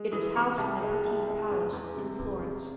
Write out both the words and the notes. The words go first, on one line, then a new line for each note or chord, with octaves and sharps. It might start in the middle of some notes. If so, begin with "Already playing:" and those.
It is housed in the Pitti Palace in Florence.
Already playing: G#3
E3 D#6
C3 C#6
C2 A5
G#3
C2
G#3
E2
E2
C3
E2
C3